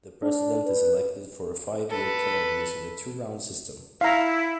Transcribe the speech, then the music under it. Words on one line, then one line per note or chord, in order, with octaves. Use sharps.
The President is elected for a five-year term using the two-round system.
D4
B4
A4 B4
E4 F5 A#5